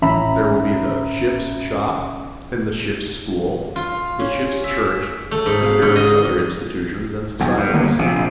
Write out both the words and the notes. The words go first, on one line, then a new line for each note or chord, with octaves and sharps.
There will be the "Ship's Shop" and the "Ship's School," the "Ship's Church" and various other institutions and societies.
A1 C#4 E5 A#5 B5
F4
C#4
E5
A3
G#2
F5
G#2
D#5
B1 E2
G2
G1 A#3 B3
A#1 C3